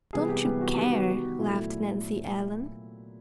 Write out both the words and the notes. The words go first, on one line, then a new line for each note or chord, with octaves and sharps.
"Don't you care," laughed Nancy Ellen.
C3 E3 G3 B3 G#4
G4
C3 E3 G3 B3
F#4
D#3 G3 B3 G4
F#4
D#3 G3 B3
A#2 F#3 A3 E4